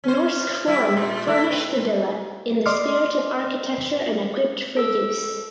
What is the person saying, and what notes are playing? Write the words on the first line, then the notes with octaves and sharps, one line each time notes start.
Norsk Form furnished the villa in "the spirit of architecture and equipped for use".
C#4 C5
G3 E4
A#2
A3 E4
A3 C4 B4
D5 D#5 C6 D6 F6
A4 E6